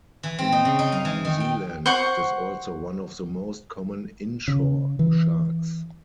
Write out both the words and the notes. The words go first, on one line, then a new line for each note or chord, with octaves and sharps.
In New Zealand, it is also one of the most common inshore sharks.
E3
C4
D#4
C#3
D#4
F5
E3
D#3
G5
C5 F#5 C#6
C#3
E3